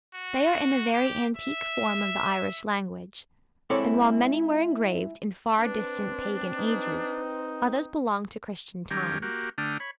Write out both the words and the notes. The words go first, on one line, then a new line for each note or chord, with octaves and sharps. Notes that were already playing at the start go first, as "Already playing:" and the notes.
They are in a very antique form of the Irish language; and while many were engraved in far distant pagan ages, others belong to Christian times.
F#4
G4
E5
G#3 C4 E4 A4 C#5 D5
C4 D4 B4
D#4 B4
D#3 G3 C#4 G4 A#4
A#3 F#4 G4
D3 A3 D4 G5 D#6 F6
C#5 B5